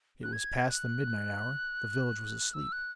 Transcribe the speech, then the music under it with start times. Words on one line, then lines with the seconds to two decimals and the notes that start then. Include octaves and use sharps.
It was past the midnight hour; the village was asleep.
0.23 F#6
0.33 G#6
0.70 F#6
2.54 E6
2.72 F#6